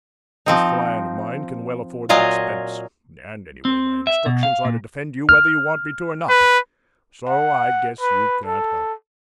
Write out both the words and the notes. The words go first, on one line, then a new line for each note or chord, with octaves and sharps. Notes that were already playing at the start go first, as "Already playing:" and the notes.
"This client of mine can well afford the expense, and anyway, my instructions are to defend you whether you want me to or not, so I guess you can't help yourself."
F3 C4 D#4
A#2 F#3 F4 D#5 F5 G#5
C4
E5
B2
F5
A#2
F6
B4
F#5
B4
A4